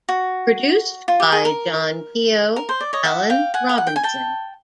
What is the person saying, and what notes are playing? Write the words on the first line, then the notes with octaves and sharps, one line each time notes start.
Produced by: John Keogh, Alan Robinson.
F#4
F4
G4
G#4
A#4
A#4
C5
D5
C#5 D#5
E5 F#5
F5 G5
F#5 G#5
F5
F#5
G5
G#5
G5 A5